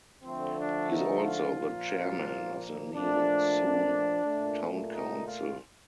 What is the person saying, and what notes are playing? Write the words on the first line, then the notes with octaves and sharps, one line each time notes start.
He is also the chairman of the Nee Soon Town Council.
D3 F3 A3 C4
D4
D#4
F4
A#2 F3 A#3
A#2 F3 A3 D4
A#2 A3
D#4
F4